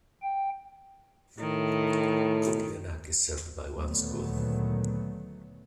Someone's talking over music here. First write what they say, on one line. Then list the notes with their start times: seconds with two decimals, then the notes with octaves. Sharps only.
Kongiganak is served by one school.
0.23 G5
1.39 A2 D#3
3.74 D2 A#2 D#3 F#3 A3 B3